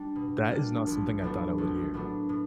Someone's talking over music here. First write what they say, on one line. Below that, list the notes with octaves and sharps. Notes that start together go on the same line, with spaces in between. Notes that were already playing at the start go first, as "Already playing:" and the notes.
That is not something I thought I would hear.
Already playing: G3 D4
B2
G3 A#3 D4
A#1
A2 F#3 B3 D4
A#1
A2 F#3 B3 D4
A2